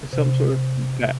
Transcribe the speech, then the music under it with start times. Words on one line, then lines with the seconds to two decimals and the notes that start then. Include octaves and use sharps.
Some sort of m pa
0.13 C3